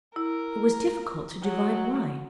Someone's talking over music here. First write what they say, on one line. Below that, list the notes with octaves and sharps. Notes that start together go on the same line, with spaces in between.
It was difficult to divine why.
E4 A#4
F#3